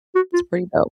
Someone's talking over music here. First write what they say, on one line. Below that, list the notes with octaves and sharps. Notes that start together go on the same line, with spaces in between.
It's pretty dope.
F#4
F4